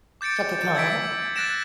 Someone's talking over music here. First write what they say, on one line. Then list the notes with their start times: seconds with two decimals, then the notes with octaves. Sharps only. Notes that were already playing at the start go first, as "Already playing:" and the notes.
Chaka Khan.
0.21 D6 G6 A6 C#7 D7
0.75 E6 G#6 A6 B6 D7
1.36 F#6 A6 A#6 D7 E7